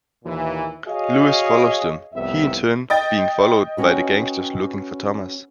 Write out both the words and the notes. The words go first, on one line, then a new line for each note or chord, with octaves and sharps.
Lewis follows them, he in turn being followed by the gangsters looking for Thomas.
D#2 A#2 E3
F#4 G#4 C#5 D#5 F5
C2 F2 A2 B3 E5
D#5 G5 A6
C#4 F#4 B4